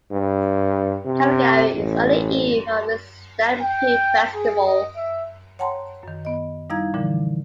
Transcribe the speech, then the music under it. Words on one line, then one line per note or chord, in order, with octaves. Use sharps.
Calgary is on the eve of its Stampede festival.
G2
C3
A1
G5
G#4
D#5
E5
C#5 F#5 G5 A5 A#5 C6
F#2 D#3
B3 D#5
G3 D#4 E4 F5 A#5 G#6
A#2 D3 E3 F3 G3